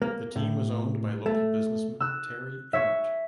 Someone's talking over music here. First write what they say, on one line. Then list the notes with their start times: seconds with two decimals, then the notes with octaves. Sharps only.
The team was owned by local businessman Terry Emmert.
0.02 A#3
0.36 A2
1.26 A3
2.00 E6 F#6
2.73 C#5 E5